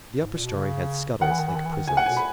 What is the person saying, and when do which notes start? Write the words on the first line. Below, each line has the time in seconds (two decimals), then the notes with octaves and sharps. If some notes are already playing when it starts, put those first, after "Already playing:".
The upper story had scuttles like prisons.
0.22 G#2
0.33 A#2
0.44 B2
0.55 C#3
1.21 D#3 F#5
1.30 E3
1.39 D#3
1.48 E3
1.56 D#3
1.65 E3
1.73 D#3
1.87 C#3 G#5
1.97 F#5
2.06 G#5
2.10 B2
2.17 B5